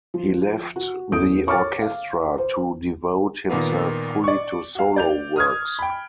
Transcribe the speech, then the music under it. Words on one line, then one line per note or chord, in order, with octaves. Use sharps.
He left the Orchestra to devote himself fully to solo works.
F3
F#4
E2 C#4 A4 D#6 G6 D7
C#5 C#6 D6 F6 A6
F5
C5
A#2 D#3 A#3 B3
D5 C#6
F#4 F5
D5 G6 F7
D#6 F6 G#6
G5 B5